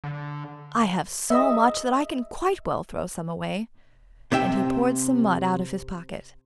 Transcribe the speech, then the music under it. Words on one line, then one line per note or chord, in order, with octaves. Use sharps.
'I have so much that I can quite well throw some away!' and he poured some mud out of his pocket.
D3
D#5 E5
C3 C5 E5 G5